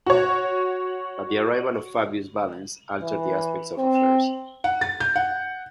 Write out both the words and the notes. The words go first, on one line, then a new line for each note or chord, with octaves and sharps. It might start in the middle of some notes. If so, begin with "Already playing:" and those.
But the arrival of Fabius Valens altered the aspect of affairs.
F#4 C#5
E3
C4
F#5
A6
G6
F#5